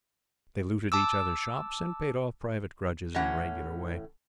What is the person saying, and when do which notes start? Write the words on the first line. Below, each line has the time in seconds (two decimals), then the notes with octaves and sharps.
They looted each other's shops, and paid off private grudges in the regular way.
0.92 A5 D6 E6
3.15 A2 E3 C#4 F#5